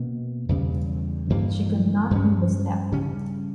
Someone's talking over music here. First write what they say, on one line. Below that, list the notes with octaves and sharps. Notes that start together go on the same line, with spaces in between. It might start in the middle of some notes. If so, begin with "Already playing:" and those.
She could not move a step.
Already playing: B2 A#3 C#4
E2 C#3 G3
G2 E3 G3 A#3
G2 G3 C#4
C#3 G3 C#4